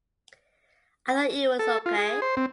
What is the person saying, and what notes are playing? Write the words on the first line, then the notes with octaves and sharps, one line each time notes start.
I thought it was okay.
A4
F4
G#4
C5
C4